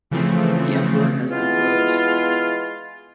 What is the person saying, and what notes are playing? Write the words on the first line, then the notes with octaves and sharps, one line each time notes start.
The emperor has no clothes.
C#3 E3 F3 A3 C4
E3 G#3 B3 E4 F4